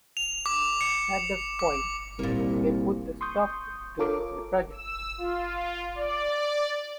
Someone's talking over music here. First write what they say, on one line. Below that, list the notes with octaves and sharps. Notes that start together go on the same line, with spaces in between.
At that point, they put a stop to the project.
F7
D6
C#7
D6
C2 A#2 A#3
C6 C#6 D#6 G6
F4 A4 A#4 C#5 D6
E6
F4
D5